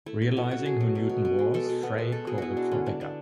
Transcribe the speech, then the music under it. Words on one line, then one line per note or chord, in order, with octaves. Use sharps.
Realizing who Newton was, Frey called for backup.
A3 E4
F#3
B2 F#4
B2 F#4
A3 G#4
F#3
B2
B2
B3
G#3
B2 A4
B2
B3
G#3
B2 A4
B2 G#4
B3 E4 F#4
G#3 D4
D3 C#4
D3 D4
B3 D4